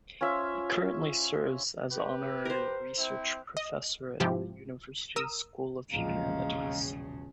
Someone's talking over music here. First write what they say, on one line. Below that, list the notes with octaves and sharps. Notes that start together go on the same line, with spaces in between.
He currently serves as Honorary Research Professor in the University's School of Humanities.
C#4 F4 C5 E5
G4 B4
A#4 C5
C4 E4
D#5
G#2 C3 F3 E4 G4
A#4 D#6 E6
E1 A#1 C#3 G#3 F5 A#5